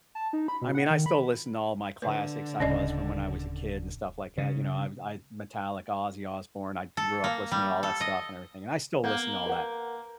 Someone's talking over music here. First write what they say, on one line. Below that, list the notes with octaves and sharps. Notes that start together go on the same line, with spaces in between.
I mean, I still listen to all my classics I was from when I was a kid, and stuff like that, you know, I'm I'm Metallica, Ozzy Osbourne, I grew up listening to all that stuff and everything, and I still listen to all that.
A5
D#4
B5
B2
F#5
D#3
B5
D3 B4
D1 C#3 C#4 D5 D#5
C#3
A4
A#3
G3
A4
D#5
A#3 B3 F#5 G6
A#4 B4 F#5